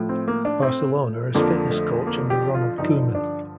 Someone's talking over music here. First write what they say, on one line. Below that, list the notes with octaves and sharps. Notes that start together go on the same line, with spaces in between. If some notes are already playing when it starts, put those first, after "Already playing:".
Barcelona as fitness coach under Ronald Koeman.
Already playing: A2 F3
C4
A#3
D4
C4
F2 D3 F3 A#3
A3
A#3
G4
F4
G2 D3 F3 D#4
D4